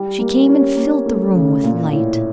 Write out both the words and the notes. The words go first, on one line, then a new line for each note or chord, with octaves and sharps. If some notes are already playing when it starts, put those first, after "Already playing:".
She came, and filled the room with light.
Already playing: G3
A#3
C#4
A#3
A3
C#3
A#2
A2